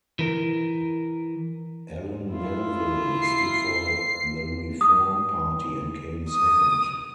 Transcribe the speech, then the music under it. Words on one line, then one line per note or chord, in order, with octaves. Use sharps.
Ellen Melville stood for the Reform Party and came second.
E3 A#4
E4 F4
C7
D#6
D#6